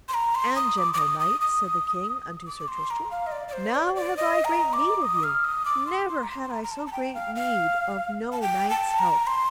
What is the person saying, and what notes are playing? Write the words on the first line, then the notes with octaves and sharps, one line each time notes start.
And, gentle knight, said the king unto Sir Tristram, now have I great need of you, never had I so great need of no knight's help.
C6
A#5
C6
D#6
D6
D6
D#6
D#6
D#6
D6
D6
C6
A#5
F5
D#5
D5
D5
C5
D5
D5
D#5
A#5
D6
D#6
F6
D#6
D6
C6
C6
A#5
C6
C6
A#5
A#5
A5
A5
G5
F5
F5
A5
G5
A5
A#5
C6